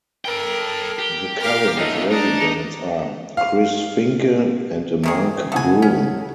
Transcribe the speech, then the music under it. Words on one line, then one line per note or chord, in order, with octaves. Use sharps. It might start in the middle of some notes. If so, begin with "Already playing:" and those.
The current residents are Chris Finke and Mark Broom.
A4 A#4 G5
G4
A#4 F5
F#2 A3 D#4
D4 D#4
F5
C3 D#3 G#4
C#3 A3 F#5 G#5 D#6
C#4